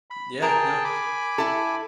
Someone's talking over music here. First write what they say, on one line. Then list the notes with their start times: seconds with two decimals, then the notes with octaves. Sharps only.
Yeah. No.
0.10 B5
0.42 G#4 A#4 G5 A5
0.84 G#5 B5 D6
1.38 E4 A4